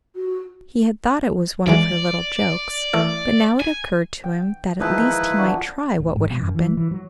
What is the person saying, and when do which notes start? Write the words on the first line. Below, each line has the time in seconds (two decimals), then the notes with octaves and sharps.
He had thought it was one of her little jokes, but now it occurred to him that at least he might try what would happen.
0.16 F#4
1.66 D#2 E3 G#3 D5
2.93 E3 A3 E4
3.60 G#5
4.24 G5
4.80 D#3 F3 G#3 D#4 E4 B4
5.38 D3 E3 F#4
6.00 D1
6.16 G#2
6.31 B2
6.42 F#2
6.55 E3
6.77 E3
6.91 F#3